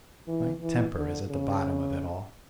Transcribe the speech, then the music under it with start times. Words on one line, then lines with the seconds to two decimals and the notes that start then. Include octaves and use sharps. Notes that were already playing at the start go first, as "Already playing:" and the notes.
My temper is at the bottom of it all.
0.27 E3
0.61 E3
0.96 D3
1.30 C#3